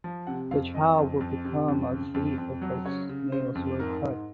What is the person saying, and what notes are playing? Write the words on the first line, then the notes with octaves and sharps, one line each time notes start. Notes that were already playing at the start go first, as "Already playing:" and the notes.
The child would become a thief if its nails were cut.
F3
C3 F#5
F2 F5
F2 D#5
F2
F2
C3
F2
C#3
F2
F2
F#3
C#3 C#5
C#3
C#3 C5
F2
G#2 A#4
G#2